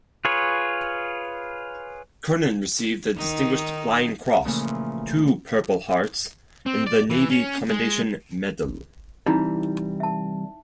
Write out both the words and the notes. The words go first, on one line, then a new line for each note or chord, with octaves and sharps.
Kernan received the Distinguished Flying Cross, two Purple Hearts and the Navy Commendation Medal.
F4 G#4 B4 C#5
D#3 D#4
A#2 C#3 E3 F3 A3 A#3
C4
D5
E3
C#4
G#3
C3 E3 G3 D#4 E4
E5 A5